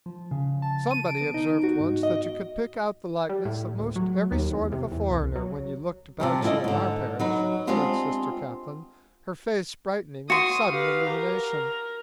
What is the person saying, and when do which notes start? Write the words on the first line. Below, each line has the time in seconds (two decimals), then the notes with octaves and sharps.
"Somebody observed once that you could pick out the likeness of 'most every sort of a foreigner when you looked about you in our parish," said Sister Caplin, her face brightening with sudden illumination.
0.06 F3
0.31 C#3
0.62 A5
0.91 D#7
1.07 D7
1.21 B3
1.34 D#4
1.63 F#4
1.80 G#2
2.03 D#5
3.29 G3
3.45 A2
3.79 D2
3.96 F#3
4.32 D#2
4.54 E2
4.72 C3
4.92 E2
5.10 C2
5.36 F#3
6.20 C3 F3 G3
6.42 C#4 D4 E4 F4 D5 D#5
6.64 G#2 D3
7.19 F#3 D#4 B4
7.67 G#3 B3 C4 D4 F4 G4
10.30 F#4 C6 D#6
10.71 G4 B4 F5
11.09 A#4